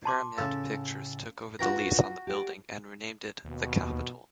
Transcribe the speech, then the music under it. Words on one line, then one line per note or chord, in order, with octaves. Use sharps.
Paramount Pictures took over the lease on the building and renamed it the Capitol.
A5 C6 D6
A2 C#3 A4 F5
D4 F4 F#4 B4 G5 A#5
G4 D5
D#2 B2